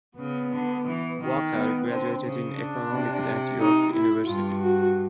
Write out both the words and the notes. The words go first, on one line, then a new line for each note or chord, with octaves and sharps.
Walker graduated in Economics at York University.
C#3 B3
D3
E3
D#3
B3
D3 C4
C#3
D4
C3
D#4
E4
G2 F4
F#4